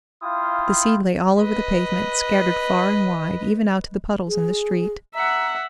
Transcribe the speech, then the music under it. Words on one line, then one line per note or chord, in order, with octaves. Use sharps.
The seed lay all over the pavement, scattered far and wide even out to the puddles in the street.
E4 F4 F5 G5 C6 D#6
B4 D#5
G#4
E5 F#5 A#5